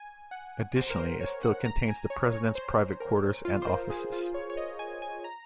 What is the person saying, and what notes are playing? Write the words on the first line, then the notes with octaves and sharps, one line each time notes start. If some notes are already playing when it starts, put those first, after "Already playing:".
Additionally, it still contains the president's private quarters and offices.
Already playing: G#5
F#5
C5
A#4
C5
C#5
F#5
A#5
G#5
C#5
C#5
C5
A#4
F4
C5
A#4
G#4
F4
C#5
C#5
D#5
G#5
G#5
A#5